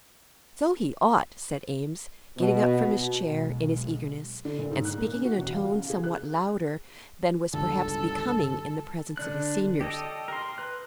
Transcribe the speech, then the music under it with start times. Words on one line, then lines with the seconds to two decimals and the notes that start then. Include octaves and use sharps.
"So he ought," said Eames, getting up from his chair in his eagerness, and speaking in a tone somewhat louder than was perhaps becoming in the presence of his seniors.
2.38 B2
3.25 B1 G#3
4.45 D3
4.59 A#2
4.71 G#2
4.85 F#6
4.98 A#3
5.13 C#4
5.25 F#4
5.38 E1
5.53 F5
5.73 C#3
5.90 G#4
6.04 F#6
7.54 G1 C#2 D3 A4
9.17 D3 D4 F#6
9.81 G4 A4 D#5
10.28 A#4 C6
10.58 B4 F#6